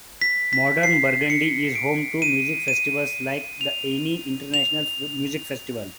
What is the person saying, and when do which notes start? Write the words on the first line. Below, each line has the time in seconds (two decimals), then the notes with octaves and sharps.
Modern Burgundy is home to music festivals like the Ainey International Music Festival.
0.22 B6
0.53 B6
0.83 C7
1.30 C#7
1.75 D7
2.22 D#7
2.68 D#7
3.61 F7
4.54 F7